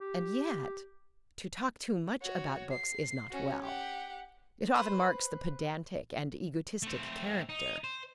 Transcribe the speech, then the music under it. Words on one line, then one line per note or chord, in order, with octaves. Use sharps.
And yet, to talk too much about books is not well; it often marks the pedantic and egotistic character.
G4
F#4 C#5
C7
C#4 F#4
G4 F#5
B4 C5
A3 C4
D#4
C5